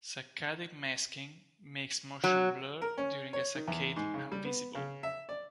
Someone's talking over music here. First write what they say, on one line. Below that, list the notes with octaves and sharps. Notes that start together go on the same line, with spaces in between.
Saccadic masking makes motion blur during a saccade invisible.
F#3
A#4
C#4
C#5
D#3
E2
G#2
C#3
G3
B3
C#3
E5
D5